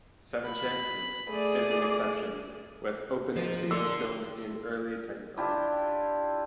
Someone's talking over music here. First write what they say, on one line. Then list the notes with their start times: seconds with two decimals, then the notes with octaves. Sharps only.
"Seven Chances" is an exception, with opening scenes filmed in early Technicolor.
0.46 B5
1.30 A3 G#4 D5
3.36 G#2 F3
3.71 A#2 A4 D5 C6 E6
5.37 D4 E4 F4 G4